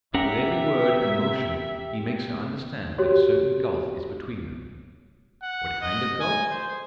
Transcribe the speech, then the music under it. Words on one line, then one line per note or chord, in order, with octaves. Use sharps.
But with every word and motion he makes her understand that a certain gulf is between them. What kind of gulf?
C#4 G4 A#4 E5 F#5
F#4 G4 C#5
F#5
D#5
G#5
C5